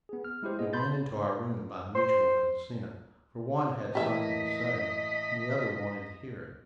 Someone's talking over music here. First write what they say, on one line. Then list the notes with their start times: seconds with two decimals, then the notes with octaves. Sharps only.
We went into our room by mutual consent, for one had something to say, and the other wanted to hear it.
0.09 B3 G#4
0.25 F6
0.43 G#3 E4 G4 C5
0.59 A#3 B3 G#4 D#5
0.73 B5 C6 G6 A6
1.95 C5
3.95 A2 E3 A#3 G4 D#5 E5 B6